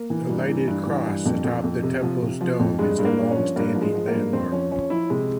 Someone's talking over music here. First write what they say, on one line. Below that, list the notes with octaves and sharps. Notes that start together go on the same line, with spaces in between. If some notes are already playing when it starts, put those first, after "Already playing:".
The lighted cross atop the temple's dome is a longstanding landmark.
Already playing: A#3
E3
G2
E3
G2
E3
G2
F2
F2
F2
C3
F3
C3
F3
F2
G2 G#3
G2
A#3
G2
C#4
F3
G2 A#3
F3
G#3
F3
A#3
G2
F2 C4
F3 C#4
F3 C#4
F3 E4
C3 G#3